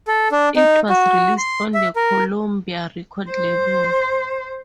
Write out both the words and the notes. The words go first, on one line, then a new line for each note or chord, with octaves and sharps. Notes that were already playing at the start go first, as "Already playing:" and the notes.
It was released on the Columbia record label.
A4
D4
D#4
F#4
C6
E5
A#4
C5